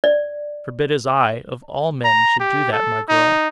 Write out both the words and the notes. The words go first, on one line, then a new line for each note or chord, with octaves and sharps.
Forbid as I, of all men, should do that, my girl!
D5
A#5
G4
A4
D#4